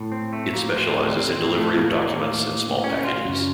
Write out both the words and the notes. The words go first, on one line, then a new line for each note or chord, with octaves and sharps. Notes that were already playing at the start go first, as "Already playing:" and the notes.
It specializes in delivery of documents and small packages.
Already playing: A2
C4
A3
A#3
C4
C4
A2 A3
A#3
A3
A#3
C#4
F4
F#2 C#3